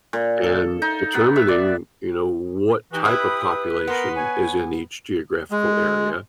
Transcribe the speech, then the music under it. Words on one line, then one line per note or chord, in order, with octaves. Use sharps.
and determining, you know, w what type of population is in each geographical area,
A#2
A4
D#4
B3
E5
D5
E3 D#4 F#4 G4
E4 B4 D#6
B3 A#4 C6
C#5 G#5
G#3